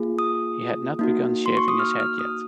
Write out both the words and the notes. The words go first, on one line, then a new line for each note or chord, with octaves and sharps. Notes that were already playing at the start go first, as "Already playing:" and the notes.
He had not begun shaving his head yet.
Already playing: A#3 F4 G#4
D#6
A#3 D#4 F#4
C6
C#6
D#6
F6
F6
D#6